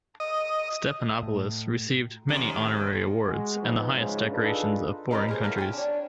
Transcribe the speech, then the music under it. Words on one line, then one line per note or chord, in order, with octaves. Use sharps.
Stephanopoulos received many honorary awards and the highest decorations of foreign countries.
D#5
A2
F#2 C3 D#3
G#3 F#4
F3 B3 D#4
G#2 C#3
D4 D#4 F4 G#4 A4 B4
C#4 F4 G4 A#4 B4 D#5
A#3 G#4 C5
F3 F#3 A#3 B3 E4
G5 G#5
D4 C#5